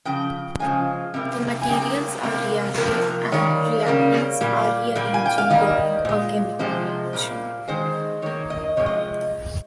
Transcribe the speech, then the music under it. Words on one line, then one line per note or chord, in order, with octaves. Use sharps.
The materials are reactive and reactants are rearranging during a chemical reaction.
C#3 F3 G5
C#3 F3 G#3 G#5
C3 G3 A#3
G#5
C#3 G3 A#3 G5
C3 G3 A#3
C3 F3 A#3 A#4
D#3 G3 A#3 C#5
C#3 G3 A#3
A#2 G3 A#3
A#2 G3 A#3
G#5
G5
F5
D#3 G3 A#3 D#5
A#2 G#3
C3 F3 G#3 C5
A#2 G3 A#3
D#3 G#3 C5
D#3 A#3 C#5
D#5
C3 F3 G#3 C#5
D#5